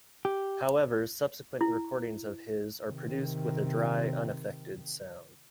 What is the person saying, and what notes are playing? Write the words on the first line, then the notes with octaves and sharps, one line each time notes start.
However, subsequent recordings of his are produced with a dry, unaffected sound.
G4
E4
C3 D#3